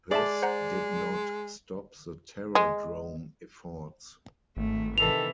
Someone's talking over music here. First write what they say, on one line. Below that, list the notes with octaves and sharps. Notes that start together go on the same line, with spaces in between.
This did not stop the Terror Drome efforts.
G#3 G#4 D5 E5 A5
C5 F#5 A#5
G#3
G#1 A3
C3 D#3 E3 A4 F7